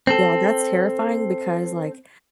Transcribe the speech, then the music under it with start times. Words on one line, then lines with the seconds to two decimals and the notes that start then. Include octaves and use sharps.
Yeah, that's terrifying because, like,
0.07 C4 A4